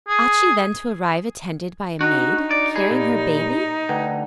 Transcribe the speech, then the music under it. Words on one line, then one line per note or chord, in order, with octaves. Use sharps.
Ought she then to arrive attended by a maid, carrying her baby?
G#4
D4 D#4 F#4
D5
G4 G#4 B5
A#2
D2 B4 F#5 G5